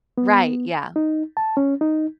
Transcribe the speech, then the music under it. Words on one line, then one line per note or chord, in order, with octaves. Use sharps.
Right, yeah.
B3
D#4
A5
C#4
D#4